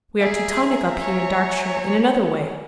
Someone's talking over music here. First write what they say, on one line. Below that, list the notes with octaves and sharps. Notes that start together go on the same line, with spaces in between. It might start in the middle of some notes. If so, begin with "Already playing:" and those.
We are Teutonic up here in Darkshire in another way.
G#4 E5 G#5 A#5
C#5